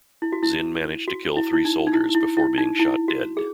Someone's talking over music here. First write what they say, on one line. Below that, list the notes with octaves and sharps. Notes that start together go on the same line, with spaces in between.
Zin managed to kill three soldiers before being shot dead.
E4
F#4
E4
F#4
E4
E4
D#4
D#4
E4
E4
E4
D#4
E4
F#4
G#4